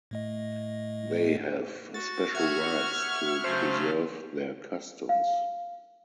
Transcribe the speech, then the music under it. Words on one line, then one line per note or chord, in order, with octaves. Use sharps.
They have special rights to preserve their customs.
A2 A3 D#5
F#4 A6
E5 F#5 C#6 F6 G#6
C#3 F#3 A3 C5
F5